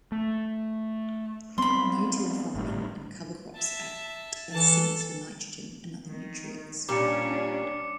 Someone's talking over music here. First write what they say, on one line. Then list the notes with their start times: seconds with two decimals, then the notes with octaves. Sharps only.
No-till farming and cover crops act as sinks for nitrogen and other nutrients.
0.12 A3
1.58 G3 B3 C4 B5 C6
2.54 G#1 A2 G3
3.56 E5 A5
4.52 E3 A4 A5
6.08 D#3
6.89 A#2 G3 C#4 D4 D6 C#7